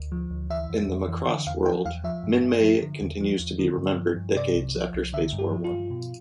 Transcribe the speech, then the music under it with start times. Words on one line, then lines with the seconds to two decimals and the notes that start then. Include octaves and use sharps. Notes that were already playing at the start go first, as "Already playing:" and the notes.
In the "Macross" world, Minmay continues to be remembered decades after Space War One.
Already playing: D2
0.12 F3
0.30 D2
0.50 E3 E5
0.70 F2
0.88 F2
1.08 E3
1.27 D3 G5
1.47 E2 F5
1.65 F3 G5
1.85 E2 F5
2.04 F3 E5
2.24 G2
2.44 G2
2.62 F3
2.82 D3
3.01 E2
3.21 F3
3.39 E2
3.59 D3
3.78 G2
3.97 F3
4.16 G2
4.36 C3 D5
4.55 C2
4.75 F3
4.94 C2
5.13 D3 E5
5.33 G2
5.38 G4
5.51 F3
5.64 F4
5.71 G2
5.90 B2